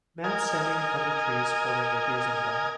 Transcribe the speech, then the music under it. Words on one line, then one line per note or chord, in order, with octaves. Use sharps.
Man standing in front of trees holding a gazing ball.
A#4 D#5 G#5